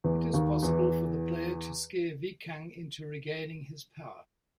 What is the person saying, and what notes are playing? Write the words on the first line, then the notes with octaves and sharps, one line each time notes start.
It is possible for the player to scare Viekang into regaining his power.
E2 E3
D#2 D#3
E2 E3